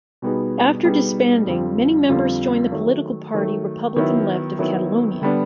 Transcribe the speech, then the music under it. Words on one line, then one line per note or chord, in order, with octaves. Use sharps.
After disbanding, many members joined the political party Republican Left of Catalonia.
B2 G3 B3 D#4 G#4
B2 G3 B3 D#4 G#4
F2 D3 G3 C4 F4
F2 D3 G3 C4 F4
D#3 F#3 A3
D#3 F#3 A3
D#3 F#3 B3 E4
D#3 F#3 B3 E4
D3 G3 B3 D4